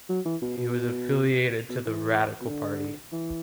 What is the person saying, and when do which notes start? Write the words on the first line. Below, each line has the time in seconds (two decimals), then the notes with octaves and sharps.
He was affiliated to the Radical Party.
0.09 F#3
0.25 E3
0.42 B2
0.57 B2
1.69 B2
1.85 E3
2.41 B2
2.49 D3
3.12 E3